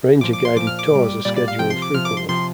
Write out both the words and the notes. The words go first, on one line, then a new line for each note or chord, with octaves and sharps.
Ranger-guided tours are scheduled frequently.
A#2 F3 D6
D6
C6
A#2 F3 D6
F6
D6
A#2 G3
A#2 G3 D5
D5
F5
C3 F3 G5
C6
D6
C3 F3 F6
D6
C6
C3 F3 C6